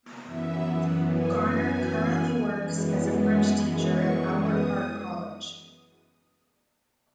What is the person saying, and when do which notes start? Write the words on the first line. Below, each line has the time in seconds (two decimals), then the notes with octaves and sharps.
Garner currently works as a French teacher at Albert Park College.
0.23 F#2 E3 B3 E5
1.11 G#5
1.41 G#5
2.59 F#2 E3 G#3 B3
3.19 G#5
3.79 C#6
4.38 D#6